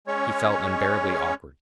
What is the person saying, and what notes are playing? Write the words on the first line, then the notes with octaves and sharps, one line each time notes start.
He felt unbearably awkward.
G#3 C#4 C#5